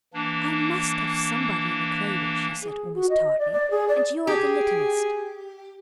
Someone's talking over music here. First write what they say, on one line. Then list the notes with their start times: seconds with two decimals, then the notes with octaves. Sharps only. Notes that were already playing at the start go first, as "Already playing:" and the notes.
'I must have somebody in a cradle,' she said almost tartly, 'and you are the littlest.
0.14 E3 A#3 D4
2.63 G#4
2.95 F#4
3.09 D#5
3.39 D5
3.52 D5
3.71 G#4
3.88 D5
4.27 G4 G#4